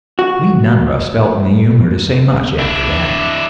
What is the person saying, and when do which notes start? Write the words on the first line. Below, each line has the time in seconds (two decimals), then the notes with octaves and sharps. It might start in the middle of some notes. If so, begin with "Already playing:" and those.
We none of us felt in the humour to say much after that.
0.19 F#4
2.59 D4 E4